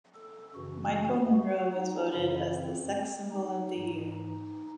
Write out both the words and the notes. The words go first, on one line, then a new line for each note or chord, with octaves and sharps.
Michael Monroe was voted as "The Sex Symbol of the Year".
A4
F#2 C#3 E3 F#4
F#4
D#4
F#2 C#3 E3 E4
C4
D#4
G#2 E3
D#4